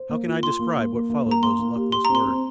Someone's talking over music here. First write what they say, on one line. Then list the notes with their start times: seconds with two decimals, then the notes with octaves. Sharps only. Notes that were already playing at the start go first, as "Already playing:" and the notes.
How can I describe what followed those luckless words?
Already playing: C5
0.10 A#3
0.26 F4
0.43 A#3 C6
0.59 A#3
0.77 A#3
0.93 A#3
1.10 A#3
1.26 A#3 A#5
1.43 A#3 C6
1.59 A#3
1.76 G4
1.92 G4 C6
2.05 C4 A#5
2.15 C6
2.26 C4